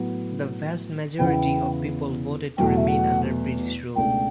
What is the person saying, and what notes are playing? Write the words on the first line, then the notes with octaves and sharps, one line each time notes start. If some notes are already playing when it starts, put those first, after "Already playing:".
The vast majority of people voted to remain under British rule.
Already playing: A2 F#3 B3 F#4
E2 C#3 E3 B3 E4 G5
F#5
G5
E2 B2 F#3 A3 G5
F#5
E5
F#5
C#2 B2 A3 D4 G5